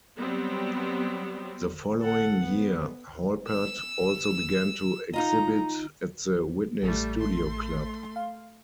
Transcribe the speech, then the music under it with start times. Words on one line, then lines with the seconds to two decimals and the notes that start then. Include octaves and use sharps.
The following year Halpert also began to exhibit at the Whitney Studio Club.
0.17 F#3 G3 B3 C4
2.00 A4 F#5
2.44 B3
3.48 E6
5.13 D#4 F4 D#5 A#5
6.82 A1 G3 A3
7.18 A3 C6
8.16 F5